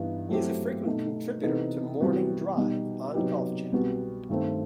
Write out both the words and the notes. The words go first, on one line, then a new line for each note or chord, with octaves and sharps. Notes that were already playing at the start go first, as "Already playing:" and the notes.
He is a frequent contributor to "Morning Drive" on Golf Channel.
Already playing: G2 E3 B3 D#4
F#3 A3 C4 E4 G4
B2 A3 D#4
C3 E3 B3 D#4 A4
C3 E3 G3 B3 F#4
B2 G3 D#4
C3 F#3 B3 D#4 G4
C2 B2 G3 B3 F#4
G2 D#3 A3 C4